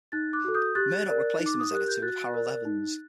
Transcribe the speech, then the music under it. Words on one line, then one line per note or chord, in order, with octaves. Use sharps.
Murdoch replaced him as editor with Harold Evans.
D#4 F#6 A6
D6 F#6
F#4 A4
D#6 G6
G4 F#6 A6
A#4 D5
D#4
D6
D#6
G4 A#4 F#6
G6
F#4 F#6 A6
A#4 D5
D#4